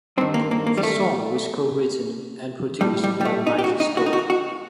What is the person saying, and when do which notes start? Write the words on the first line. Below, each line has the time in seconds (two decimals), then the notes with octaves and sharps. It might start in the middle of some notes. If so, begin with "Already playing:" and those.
The song was co-written and produced by Mike Stock.
0.17 G2 C4
0.21 D#3
0.34 A#3
0.51 A#3
0.66 A#3
0.77 G3
0.83 A3
2.81 A2 G3
3.04 G3
3.21 G3
3.25 A3
3.47 D#4
3.59 G4
3.64 F#4
3.80 D#4
3.97 F#4
4.06 D#4
4.13 F#4
4.30 F#4